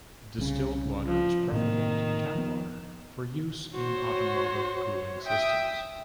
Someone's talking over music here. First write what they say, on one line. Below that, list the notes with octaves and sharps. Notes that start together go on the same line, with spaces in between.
Distilled water is preferable to tap water for use in automotive cooling systems.
C2 C#3
F3
A2 C3 D#3 A#3
F3 B3
F#4 C5 C#5
E5 G5 D#6